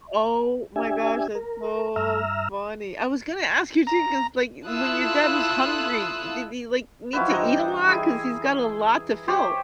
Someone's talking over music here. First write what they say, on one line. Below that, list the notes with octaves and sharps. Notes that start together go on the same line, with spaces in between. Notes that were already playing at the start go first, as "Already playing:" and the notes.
Oh my gosh, that's so funny. I was gonna ask you too 'cause, like, when your dad was hungry, did he, like, need to eat a lot? 'Cause he's got a lot to fill.
D4 G4 E5 G#5
A#4
G2 E5 A#5 E6 F6
A#5
E4 F4 A4 D#6 E6 F#6
F3 F#3 E4 B4
G2 E3 D#4 A#5
E4 G#4
G4 C5 C#5